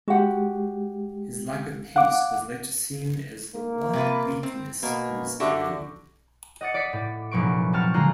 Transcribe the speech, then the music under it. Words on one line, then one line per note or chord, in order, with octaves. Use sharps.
His lack of pace was later seen as the one weakness in his game.
G#3 F#4 G4 F#5
F5 F#5 D6
A#3
C3 F4 B4
C4
B2 A#3
D3 F#4 G4 E5
D#5 F#5 D6 A6 C#7
D5 D6 A6 B6 C#7
A2
F1 A#2 F#3 B4 C#6 D7
A#2 C4 F#4 A5 C#6 F6
D3 G#3 F4 D5 A#5 F#6